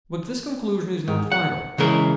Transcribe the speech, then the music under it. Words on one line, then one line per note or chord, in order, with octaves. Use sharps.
But this conclusion is not final.
G#2
F#5
C#3 E3 G#3 A#4